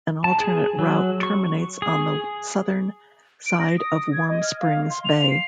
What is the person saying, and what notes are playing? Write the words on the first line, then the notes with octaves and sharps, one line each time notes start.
An alternate route terminates on the southern side of Warm Springs Bay.
A5
G#4
F#3
C#6
G#4
D7
A#6
D#6
G#6
D#5
F6
F5
C6
F7
C7